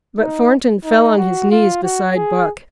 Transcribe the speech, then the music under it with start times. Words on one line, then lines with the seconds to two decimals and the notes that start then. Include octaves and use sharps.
But Thornton fell on his knees beside Buck.
0.19 D#4
0.85 D#4
1.18 F#4
1.51 F4
1.84 F#4
2.16 G#4